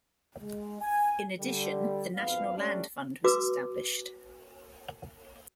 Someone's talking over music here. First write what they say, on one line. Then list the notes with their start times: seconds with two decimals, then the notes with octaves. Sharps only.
In addition, the National Land Fund was established.
0.41 G#3
0.81 G#5
1.39 D3 G3
2.15 G#1 F2 B3 F5
2.57 G3 A3 C#4 D4
3.24 F#4 B4 D6 E6